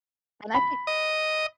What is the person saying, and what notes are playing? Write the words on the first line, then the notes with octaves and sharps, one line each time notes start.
And I think
B5
D#5